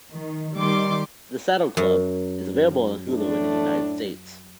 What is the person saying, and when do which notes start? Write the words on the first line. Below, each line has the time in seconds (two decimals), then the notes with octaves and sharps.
"The Saddle Club" is available on Hulu in the United States.
0.12 D#3
0.58 D#3 G3 C6 D6
1.77 F#2
3.09 A2 A3 D4